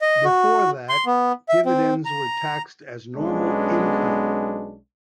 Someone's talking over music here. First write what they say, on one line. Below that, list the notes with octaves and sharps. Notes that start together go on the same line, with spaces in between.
Before that, dividends were taxed as normal income.
D#5
F#4
C6
B3
E5
C4
A#5
B1 G#3 B3 C#4 D4